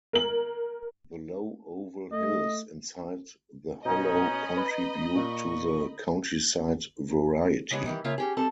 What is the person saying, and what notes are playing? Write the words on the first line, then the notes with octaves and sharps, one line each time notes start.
The low oval hills inside the hollow contribute to the countryside variety.
A#4 F#7
A3 D#5
B2 C#4 D#4 D#5 B5
B4
A#2 C#6
C#3 G3 G#3 B3
D#3 E3 G3
C#3 A#3 F4 E5
C#4 G4 G#4
G3 C4 A4 A5